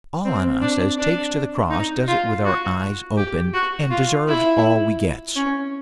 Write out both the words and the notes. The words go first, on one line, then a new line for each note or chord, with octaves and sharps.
All on us as takes to the cross does it with our eyes open, and deserves all we gets.'
C4
D4
D4
D#4
F4
F#4
G4
F#4
F4
E4
C#4